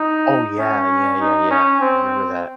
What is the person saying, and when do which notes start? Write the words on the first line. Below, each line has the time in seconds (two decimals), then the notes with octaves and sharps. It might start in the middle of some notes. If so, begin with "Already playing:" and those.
Oh, yeah, yeah, yeah, yeah, I remember that.
Already playing: D#4
0.59 C#4
1.20 D#4
1.50 C#4
1.80 C4